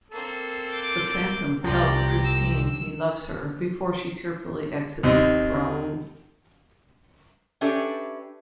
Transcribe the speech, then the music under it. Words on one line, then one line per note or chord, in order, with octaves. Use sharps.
The Phantom tells Christine he loves her, before she tearfully exits with Raoul.
A#3 C4 A4
D6 G6
C2 F3 G4 D5 G5 A#5
E6
D#2 C4 D#4
C#4 D4 G4 A4 B4 E5